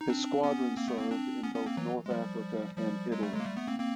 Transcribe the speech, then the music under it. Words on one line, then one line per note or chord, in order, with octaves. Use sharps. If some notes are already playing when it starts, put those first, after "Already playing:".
His squadron served in both North Africa and Italy.
D#4
C4 D4
B3 C#4
A#3 C4
A3 B3
A#3 C4
C4 D4
B3 C#4
B3 C#4
A#3 C4
E3 F#3
G#3
F3 G3
F3 G3
F#3 G#3
G3 A3
F#3 G#3
A#3
G3 A3
A3 B3
A#3 C4
A#3 C4